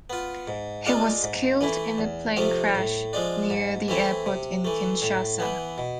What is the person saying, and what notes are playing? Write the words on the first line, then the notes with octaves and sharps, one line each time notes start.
He was killed in a plane crash near the airport in Kinshasa.
B3 F4
G#2
G#3 D4 F4
G#2
E3 A3 E4
E2
C3 F3 A3 C4
A2
F3 G#3 D4
G#2
E3 A3 C4 E4
C3
E3 A3
A2
E3 B3
B2